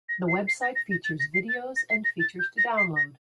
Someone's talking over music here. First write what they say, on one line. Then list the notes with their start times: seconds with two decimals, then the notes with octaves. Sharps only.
The website features videos and features to download.
0.08 A#6
0.28 C7
0.47 C7
0.62 A#6
0.75 A#6
0.91 A#6
1.04 A6
1.19 A#6
1.34 C7
1.48 A6
1.76 A#6
1.90 C7
2.04 A#6
2.19 A6
2.39 G6
2.57 A#6
2.77 C7
2.96 A#6